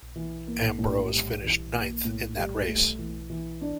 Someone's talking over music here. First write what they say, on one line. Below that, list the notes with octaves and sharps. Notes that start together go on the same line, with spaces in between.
Ambrose finished ninth in that race.
E3
A#3
A2
G3
E3
A#3
A2
G3
A3
E3
E3
D4